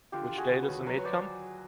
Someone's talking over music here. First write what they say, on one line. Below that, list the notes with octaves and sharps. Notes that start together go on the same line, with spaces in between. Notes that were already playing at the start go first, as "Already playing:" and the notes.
Which day does the maid come?
D3 F4 G4
D3
F#4 G#4
D3
B4 C#5
D#2
F#3 B4 C#5
C#5
F#3 C5 D5